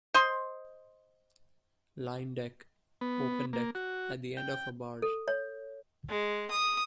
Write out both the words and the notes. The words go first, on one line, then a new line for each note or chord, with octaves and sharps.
Line Deck- Open deck at the end of a barge.
C5 D#5 C6
B3
A#3
F#4
G5
A4
C#5
G#3
D#6